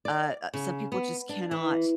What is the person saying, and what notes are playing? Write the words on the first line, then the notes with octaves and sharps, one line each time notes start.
uh, some people just cannot
D5
C#3
B3
D4
E3